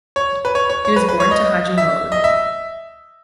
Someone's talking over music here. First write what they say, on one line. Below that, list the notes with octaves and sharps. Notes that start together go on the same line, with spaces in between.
He was born to Haji Mohd.
C#5
B4
C#5
C#5
C#5
B4
B4
C#5
D#5
E5
D#5
E5